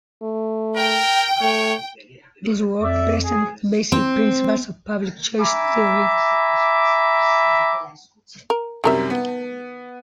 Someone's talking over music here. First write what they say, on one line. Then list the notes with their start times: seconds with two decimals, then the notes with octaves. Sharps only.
This work presents the basic principles of public choice theory.
0.22 A3
0.76 A#4 G5
1.41 A3 C#5
2.81 F2 D5 E5
3.25 G#4
3.92 C4
5.39 E5 G#5 A#5 B5 D6
8.50 A#4
8.84 F#2 C3 D#3 G3 A#4 E5
9.10 B3